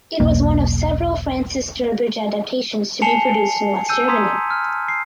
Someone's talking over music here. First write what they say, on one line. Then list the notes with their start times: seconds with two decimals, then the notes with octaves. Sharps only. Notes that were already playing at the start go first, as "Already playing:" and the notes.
It was one of several Francis Durbridge adaptations to be produced in West Germany.
0.20 E1 B1 A#3
3.02 G#5 A5 C7 C#7 F7 G7
3.89 E6 G6 D#7
4.08 A#5 C6 D#6 G#6 B6
4.51 F6
4.88 C7